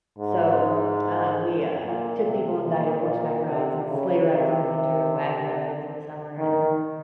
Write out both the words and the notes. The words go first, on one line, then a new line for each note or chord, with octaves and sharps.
so, uh, we, uh, took people on guided horseback rides, and sleigh rides in the winter, and wagon rides in the summer, and
G#2
A#2
C3
A#2
A#2
C3
C#3
C3
D#3